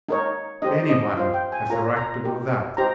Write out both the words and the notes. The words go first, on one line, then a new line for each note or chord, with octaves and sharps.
Any one has a right to do that.
D#4 A#4 C#5
D#4 G4 C5 D#5
D#5
F4 C5 F5
G5
G#5
F4 A#4 C#5 A#5
A#5
D#4 G4 A#4
D#4 G4 C5 A#5